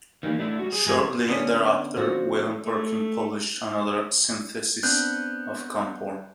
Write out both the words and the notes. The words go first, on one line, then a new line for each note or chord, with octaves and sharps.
Shortly thereafter, William Perkin published another synthesis of camphor.
D#3 E3 G3 A#3
A3 D4 E4
G3 F#4
G#4
G2 F3 G#3 G#5
D3 B3 C#4
F3 F#4
A3
B3 C4 D4 F#6 G6